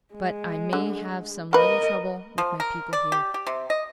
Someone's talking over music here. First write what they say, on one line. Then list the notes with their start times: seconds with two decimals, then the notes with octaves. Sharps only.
But I may have some little trouble with my people here.
0.14 G#3
0.73 D3
1.53 A#3 A#4 B4 D#5
2.38 F3
2.60 A#4
2.93 D5
3.12 G4
3.34 G4
3.47 C3
3.70 D#5